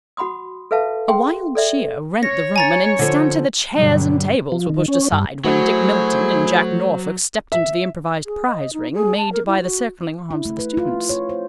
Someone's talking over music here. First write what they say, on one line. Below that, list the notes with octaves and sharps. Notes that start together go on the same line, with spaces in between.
A wild cheer rent the room, and instanter the chairs and tables were pushed aside, when Dick Milton and Jack Norfolk stepped into the improvised prize ring, made by the circling arms of the students.
F#4 F#5 B5 C6 D#6
A4 B4 E5 F5 A5
G#4 G5 C6
A4 D5 E5
C#5 A#6
G#5 A#5 A6
D3 F3
G2 B2 D3 F#3 G3
F3
D#3
C#4
G2
F#3 A3 E4 F#4 G#4 C5
E5
G#4
D#5
D#4
G#4
A5
A#4
E4
F#4
E4
A3
B4
F4
C#5
C5